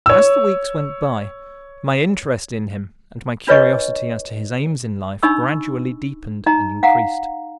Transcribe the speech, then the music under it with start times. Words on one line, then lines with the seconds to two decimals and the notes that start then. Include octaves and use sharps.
As the weeks went by, my interest in him and my curiosity as to his aims in life, gradually deepened and increased.
0.06 C#5 E6
3.47 D4 F4 B4 C#5 D#5 C#6
5.23 D4 D#4 D#5 B5 C#6 E6
6.46 D#4 D#5 A#5
6.83 F5 F#5 A#5